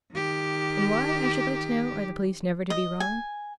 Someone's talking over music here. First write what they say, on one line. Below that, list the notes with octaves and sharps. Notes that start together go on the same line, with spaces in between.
And why, I should like to know, are the police never to be wrong?
D#3 G4
D#5
G#5